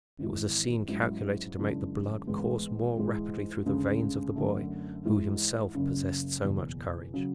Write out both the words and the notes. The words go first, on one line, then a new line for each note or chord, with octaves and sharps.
It was a scene calculated to make the blood course more rapidly through the veins of the boy, who, himself, possessed so much courage.
G#1 G#2 E3
G#2 F#3 C#4 E4
F#2 C#3 E3 G#3 D4
A1 G#2 G#3 B3
G#2 E3 G#3
D2 C#3 G#3 C#4
F#2 D3 A3
G#2 E3 G#3
F#1 F#2 C#3
F#1 E2 B2
C#3 F#3